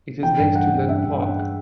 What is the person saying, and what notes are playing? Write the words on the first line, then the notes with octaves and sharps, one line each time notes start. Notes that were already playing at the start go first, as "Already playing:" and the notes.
It is next to Linn Park.
E3 G5
G2
E3 F#5
G2
G2 E5
G2
G2
G#3